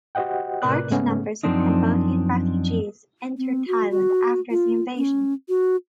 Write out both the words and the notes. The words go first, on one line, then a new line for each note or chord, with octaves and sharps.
Large numbers of Cambodian refugees entered Thailand after the invasion.
F#4 G4 C5 D#5 F#5 G5
A2 C3 A#4 B4 D5 F#6
G#2 C#3 G#3 A3 B3 C#4
F#2 B2 F3 C4 D4 D#4
C4
F#4
F#4
F4
C#4
F#4